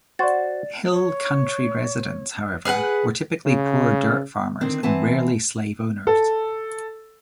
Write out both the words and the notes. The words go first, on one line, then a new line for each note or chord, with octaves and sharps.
Hill country residents, however, were typically poor dirt-farmers and rarely slave owners.
F#4 C5 D5 A6
C#5
G#4 B4 F5 F#5
C#3
D3 D#3 C4
E3 C4 F#5 A5
A4